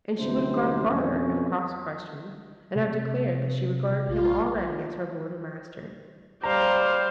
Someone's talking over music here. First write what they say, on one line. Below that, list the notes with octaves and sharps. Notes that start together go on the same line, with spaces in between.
And she would have gone farther if cross-questioned, and have declared that she regarded him already as her lord and master.
A1 D2 G2 C3 F#3 C5
F2 B2 C#4
C3
A#1 F4
G3 C5 F5 A#5 D6